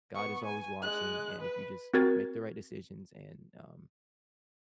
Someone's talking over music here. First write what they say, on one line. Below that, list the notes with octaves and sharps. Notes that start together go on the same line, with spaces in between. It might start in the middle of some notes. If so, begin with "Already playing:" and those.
God is always watching and if you just make the right decisions and, um,
B3 C#6
G#5
G#3 F#6
B4
C4 F#4 A#4 G#6 A6